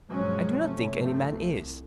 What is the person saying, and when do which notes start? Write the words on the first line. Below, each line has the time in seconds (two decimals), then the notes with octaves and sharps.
I do not think any man is.
0.12 G2 B2 F3 F#3 G#3 C#4
0.62 C3 A3 C#4
0.95 G2 C3 F3 A3
1.27 C2